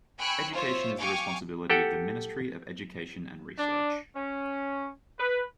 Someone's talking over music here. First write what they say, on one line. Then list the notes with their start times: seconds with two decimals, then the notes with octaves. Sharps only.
Education is the responsibility of the Ministry of Education and Research.
0.20 G5 G#5 B5 C#6 E6 F#6
0.53 F4 C5 C#5 E5
0.98 F5 G5 G#5 C#6 D6
1.70 G4 A4 F#5 G5
3.57 D4
4.14 C#4
5.19 B4